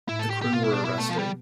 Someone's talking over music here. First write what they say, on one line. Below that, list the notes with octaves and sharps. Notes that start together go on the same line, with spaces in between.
The crew were arrested.
A2 E4
A4
G4
G4
B2 F4
E4
D4
E4
A3
F3
G3